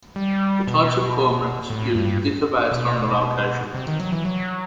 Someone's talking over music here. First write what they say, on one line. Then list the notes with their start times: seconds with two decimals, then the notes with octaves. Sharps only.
The types of cormorants used differ based on the location.
0.16 G3
0.67 B2
1.70 A2
1.95 G2
2.71 B2
3.74 C3
3.87 D#3
4.00 F#3
4.12 E3
4.25 F#3